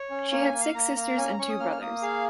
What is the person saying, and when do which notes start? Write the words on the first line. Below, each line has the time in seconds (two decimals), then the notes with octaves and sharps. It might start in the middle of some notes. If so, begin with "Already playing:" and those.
She had six sisters and two brothers.
Already playing: C#5
0.10 C#4
0.32 A#3 C#5
0.46 G#5
0.53 A#3
0.60 F5
0.74 A#3 A#5
0.96 A#3
1.17 C#4 G#5
1.29 A#5
1.38 C#4 C#6
1.49 D#6
1.60 A#3 F6
1.72 F6
1.81 A#3 D#6
2.02 G#4 F5